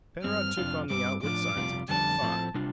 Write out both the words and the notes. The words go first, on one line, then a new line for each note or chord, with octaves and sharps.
Penrod took on the outward signs of deep thought.
G2 G3 C4 F6
F2 C3 F3 D4 F4
G2 G3 C4 D6
A2 F3 D4 F4 D6
F2 C3 G3 F4
F2 D3 G3 A5
A2 F3 A3 C4
C3 G3 D4 F4